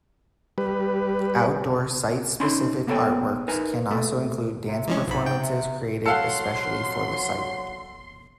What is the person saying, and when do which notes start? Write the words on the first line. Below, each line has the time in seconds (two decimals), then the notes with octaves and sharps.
Outdoor site-specific artworks can also include dance performances created especially for the site.
0.58 G3 B4
2.40 C#4 D#4 B5 C6
2.87 A#3 B3 A4 C#5 G5 G#5
3.48 D#4 A#4 B4 G#5
3.91 A#2 A3
4.67 C3
4.87 E3 F3 G#3 C#4
5.08 B1 G#2 B5
5.26 G5
5.39 C3
6.06 F#3 A4 F5 F#5 A5 C6 E6 C#7